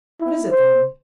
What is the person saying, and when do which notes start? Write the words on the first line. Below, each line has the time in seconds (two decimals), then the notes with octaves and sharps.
"What is it then?"
0.20 E4
0.50 C5